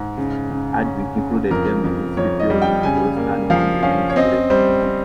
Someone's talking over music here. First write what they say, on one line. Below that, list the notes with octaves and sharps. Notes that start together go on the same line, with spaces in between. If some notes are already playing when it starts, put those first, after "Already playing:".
Hardwick included them in his rebuilding, and the western one remains today.
Already playing: G#2
C#3
C#3
C#4
C#3
F2 A#4
F2
F2 C#5
D#5
G3
G5
C#3 G#5
A#3
F3 F5
C#4 F5
C#5
C4 D#5
G3 C5
C4